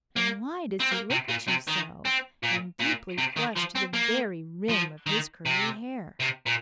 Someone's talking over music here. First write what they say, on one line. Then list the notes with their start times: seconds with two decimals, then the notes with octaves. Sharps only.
And why does he look at you so, and deeply flush to the very rim of his curly hair?
0.16 A#3
0.80 C4
0.91 A#3
1.10 C3
1.28 A#2
1.48 C3
1.67 D#3
2.05 C4
2.43 A#2
2.80 A#2
3.18 C3
3.36 D#3
3.56 F3
3.75 C4
3.93 A#3
4.69 F3
5.06 D#3
5.45 C3
6.20 C3
6.46 A#2